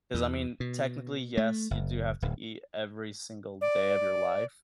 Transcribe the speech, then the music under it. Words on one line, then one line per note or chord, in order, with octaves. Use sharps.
'Cause I mean, technically, yes, you do have to eat every single day of your life,
E2
B2
A3
F#1
D1
D5